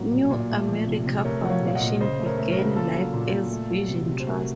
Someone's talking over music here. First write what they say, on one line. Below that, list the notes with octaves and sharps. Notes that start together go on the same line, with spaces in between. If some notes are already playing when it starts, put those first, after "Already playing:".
New America Foundation began life as Vision Trust.
Already playing: A2 F#3 A#3
A#2
A#2
A3
F3
C3
C3
A3 A#4 C#5
F#3 F#5
C#5 F5
A#2 F5
D#5 F#5
A#2
C#3 C5 D#5
A3
A#4 C#5
A3
F#4 A#4
C#3
A#3 F4 A4
F#3
A#2
A#2
A3
F#3
C3
C3
C5
A3 F#4 A#4